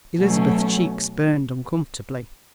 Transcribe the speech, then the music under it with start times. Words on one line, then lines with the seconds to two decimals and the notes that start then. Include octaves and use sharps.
Elizabeth's cheeks burned uncomfortably.
0.20 B2 F#3 A3 C#4